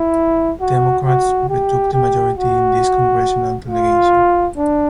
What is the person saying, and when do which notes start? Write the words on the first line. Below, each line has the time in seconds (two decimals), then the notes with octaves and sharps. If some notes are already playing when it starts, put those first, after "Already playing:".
Democrats retook the majority in this congressional delegation.
Already playing: E4
0.61 F#4
1.06 F#4
1.50 G4
1.93 G4
2.38 F#4
3.70 F4
4.57 D4